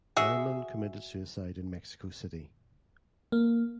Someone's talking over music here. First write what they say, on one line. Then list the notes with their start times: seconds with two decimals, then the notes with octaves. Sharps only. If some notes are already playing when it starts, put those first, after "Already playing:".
Neumann committed suicide in Mexico City.
0.16 F#4 G#4 E5
3.32 A#3